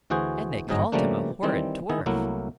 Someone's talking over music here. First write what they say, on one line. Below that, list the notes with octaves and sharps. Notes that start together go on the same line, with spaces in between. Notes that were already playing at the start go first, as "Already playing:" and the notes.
And they called him a horrid dwarf!
D2 E3 F#4 G#4 C5
G1 G#2 F#3 G#4 D#5 A#5
C#3 F3 G3 A3 A#3 D4
D#3 E3 G3 C4
D#3 E4 G#4
C2 F#3 A3 A#3 E4